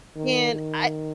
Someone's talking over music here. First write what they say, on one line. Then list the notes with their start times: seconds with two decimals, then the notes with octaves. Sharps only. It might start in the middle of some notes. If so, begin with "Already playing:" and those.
and I
0.16 D#3
0.52 D#3